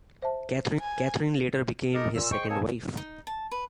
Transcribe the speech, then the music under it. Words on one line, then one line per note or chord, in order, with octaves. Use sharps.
Catherine later became his second wife.
C5 E5 A5
G#5
D#4 G4 A4 A#4 D#5
A#2 E6
G#3 C5 G5 C#6
A#3 C4 C#5 D#5 G#5 A5
D#4
A5
B4